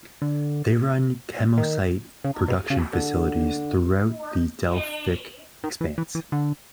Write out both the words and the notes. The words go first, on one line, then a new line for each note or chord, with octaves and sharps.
They run kemocite-production facilities throughout the Delphic Expanse.
D3
D#3
C#3
B2
C#3
D3
D#3
E3
E3
E3
D3